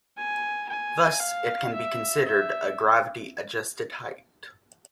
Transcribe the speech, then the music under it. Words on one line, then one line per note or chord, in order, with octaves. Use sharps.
Thus it can be considered a "gravity-adjusted height".
G#5
G#5
F5
E5
E5